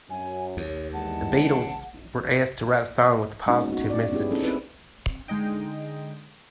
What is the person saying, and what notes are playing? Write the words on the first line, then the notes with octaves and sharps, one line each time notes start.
The Beatles were asked to write a song with a positive message.
F#2 C#4 G#5
D#2 C#5
E2 G#3 F#5 A5
C#3
G#3 A#3 B3 C#4 D#4 F#4
D#4 F#4
D5
B3 C#4 E4 G4 G#4
C4 C#4 D#4 A4
C4 C#4 E4 B4
D3 G#3 D#4 D#5 G5